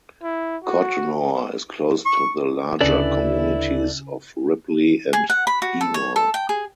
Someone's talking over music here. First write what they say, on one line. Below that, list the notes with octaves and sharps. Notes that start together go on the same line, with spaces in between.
Codnor is close to the larger communities of Ripley and Heanor.
E4
F#4
C#6
D2 C#3 D4 E4 A4 B4 D5
G#4
F#5
B5
F#4
A4
C#5
A4
G5
G#4